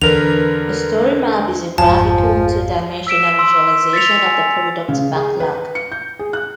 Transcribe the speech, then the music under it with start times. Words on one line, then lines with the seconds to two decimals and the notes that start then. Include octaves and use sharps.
A story map is a graphical, two-dimensional visualization of the product backlog.
0.02 E2 D3 A#4 B4 F7
1.78 G#1 F2 F3 G#5 A5
3.07 E6 B6 D7 E7
3.39 C6 E6
3.93 A6 B6 C#7 F7
4.26 G#5
4.88 C#3
5.15 G#4
5.40 B4
5.75 C#7
5.92 G6
6.19 G#4
6.33 F#6